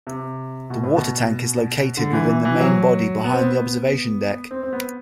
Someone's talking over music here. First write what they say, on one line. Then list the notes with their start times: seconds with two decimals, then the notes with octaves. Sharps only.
The water tank is located within the main body behind the observation deck.
0.07 C3
0.70 B2
0.83 A2
0.97 B2
1.97 D3
2.13 E3
2.29 E3
2.45 E3
2.61 F#3
3.24 B3
3.33 C4
3.43 B3
4.51 C4
4.63 C4
4.73 B3